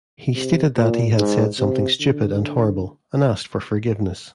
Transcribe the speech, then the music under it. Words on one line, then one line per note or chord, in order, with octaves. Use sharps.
He stated that he had said something stupid and horrible and asked for forgiveness.
C3
A#2
G#2
C3
D3